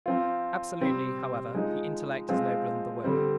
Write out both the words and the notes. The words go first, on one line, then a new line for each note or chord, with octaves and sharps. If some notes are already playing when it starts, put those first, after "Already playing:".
Absolutely, however, the intellect is nobler than the will.
F3 C4 F4
C3 G3 C4
F3 G#3 D#4
F3 G#3 C4 F4
D3 G3 C4